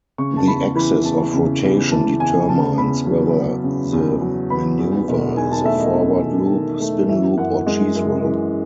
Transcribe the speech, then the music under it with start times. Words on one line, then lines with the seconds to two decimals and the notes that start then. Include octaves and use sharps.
The axis of rotation determines whether the maneuver is a forward-loop, spin-loop, or cheese-roll.
0.18 C#3 C#6
0.37 A5
0.47 E2 B5
0.75 E3 B5
1.05 E2 A5
1.34 C#3
1.62 E2
1.91 E3 A5
2.20 E2 G#5
2.48 C#3 A5
2.78 E2 B5
3.06 F#3
3.35 B3
3.64 C#3
3.93 E2
4.22 F#3
4.50 B3 B5
4.79 E2
5.08 E1
5.37 D#3 G#5
5.51 A5
5.65 A3 E5
5.80 D#5
5.94 E2
6.23 E1
6.52 D#3
6.80 A3
7.09 E3 E5
7.38 F#2 F#5
7.67 G#3
7.96 F#2
8.24 E3